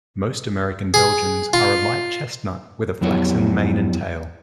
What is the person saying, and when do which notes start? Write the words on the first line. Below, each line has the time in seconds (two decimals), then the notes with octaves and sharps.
Most American Belgians are a light chestnut with a flaxen mane and tail.
0.94 G#4
1.53 F4
3.01 F2 F#3 B3 E4 G4 C#5